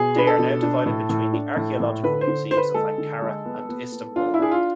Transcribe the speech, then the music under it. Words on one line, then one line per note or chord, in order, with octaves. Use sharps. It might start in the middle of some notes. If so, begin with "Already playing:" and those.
They are now divided between the archaeological museums of Ankara and Istanbul.
Already playing: B2 G#4
D4 B4
A4
B2
D4
A2
A2
D4
A2
A2
D3 B4
C5
D3
D3 C5
B4
G#3 A4
D3
G#3
B3
B3
B3
D4 F4
E4
D4 G#4
F4